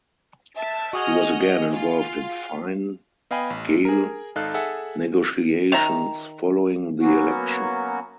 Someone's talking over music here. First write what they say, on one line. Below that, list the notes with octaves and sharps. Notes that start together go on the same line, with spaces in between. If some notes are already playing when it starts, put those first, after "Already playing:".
He was again involved in Fine Gael negotiations following the election.
E5 A5
F#4 G#4 D#5 F#5 G#5 F6
F4 F5
B3 D#5 F5 G5 G#5 B5
A1
G#4 A#4
G#1 D#4 A4 F5 F#6
G#4 A4 E5 F#5 A5
D#3 E5 A#5
F#3 A#3 B3 C#4 F#4